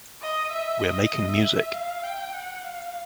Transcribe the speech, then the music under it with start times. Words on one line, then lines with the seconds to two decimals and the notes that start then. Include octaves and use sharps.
We’re making music.
0.21 D#5
0.51 E5
0.82 D#5
1.28 E5
1.73 F5
2.03 G5
2.33 F#5
2.64 F5